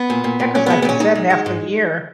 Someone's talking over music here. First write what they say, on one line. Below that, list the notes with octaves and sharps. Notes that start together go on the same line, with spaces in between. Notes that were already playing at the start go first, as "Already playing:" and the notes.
Yeah, 'cause like you said, half the year,
Already playing: B3
A#2
A#2
A#2
A#2 C#4
G#3 B3
B3
A#2 C#4
G#3 D#4
G#3
G#3
G#2